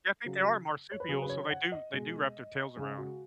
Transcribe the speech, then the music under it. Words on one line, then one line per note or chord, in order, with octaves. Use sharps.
Yeah, I think they are marsupials, so they do they do wrap their tails around.
C#3 F#3
C#5
B4
C#3 F#3 G#4
B4
C#5
F#5
D#5
B2 G#3
C#3 G#3 G#4
F#4